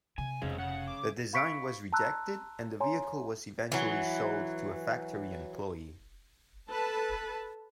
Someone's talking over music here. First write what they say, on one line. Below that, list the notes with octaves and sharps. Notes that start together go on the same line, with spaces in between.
The design was rejected and the vehicle was eventually sold to a factory employee.
C3 G#5
F1 C#3 G#3 C4 D#4
C#3 F#5
D6
F5 B5 C#6 B6 C#7 D7
A5 A#5 C6 E6 F#6
C#5 G#5 A#5 C6
E3 F#3
A4 B4 A5